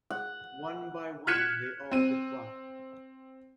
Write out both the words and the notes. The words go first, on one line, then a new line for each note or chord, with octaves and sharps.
One by one they all decline.
F#5
F6 F#6 G#6 B6 C#7 E7
C4 D#7